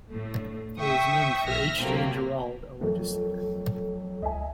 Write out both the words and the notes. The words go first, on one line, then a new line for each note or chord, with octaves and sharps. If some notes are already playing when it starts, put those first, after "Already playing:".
It was named for H. J. Jerauld, a legislator.
A2 A3
E5 G5 C#6 D#6
B1 E5 F6 A#6
C3 F#3 A3 A#3 C4
F2 F#3 A3 A#4
C#2 D#5 E5 G#5